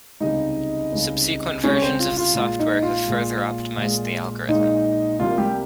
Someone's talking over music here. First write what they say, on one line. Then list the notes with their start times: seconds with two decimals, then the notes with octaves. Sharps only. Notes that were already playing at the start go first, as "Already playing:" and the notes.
Subsequent versions of the software have further optimized the algorithm.
0.20 C#2 C3 G3 D#4 D#5
0.93 C#2 C3 G3
1.64 C#2 C3 G3 C#4 C#5
1.82 C4 C5
1.99 F4
2.17 F4
2.35 A#2 G#3 F4
2.59 D#4
2.82 F4
3.06 A#2 G#3
3.77 A#2 G#3
4.48 A#2 G#3 D#4
5.20 C2 C3 G3 A#3 F4
5.38 G3 G4